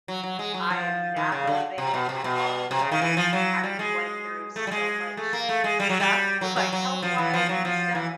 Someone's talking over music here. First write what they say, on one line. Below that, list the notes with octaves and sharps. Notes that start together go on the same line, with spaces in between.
I am not motivated at all, because I've went through so much stuff, like, health-wise and stuff,
F#3
F#3
G#3
F#3
F3
D#3
C#3
D3
C3
B2
C3
B2
C3
C#3
D#3
E3
F3
F#3
G3
G#3
A3
G3
G#3
A3
A#3
A3
G#3
G3
F#3
G3
F#3
F#3
F#3
F3
E3
F3
F#3
F3
E3